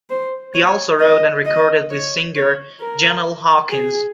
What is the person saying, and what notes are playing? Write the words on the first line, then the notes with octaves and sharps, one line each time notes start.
He also wrote and recorded with singer Jennell Hawkins.
C5
C#5
D#5
D#5
C#5
C#5
A#4
G#4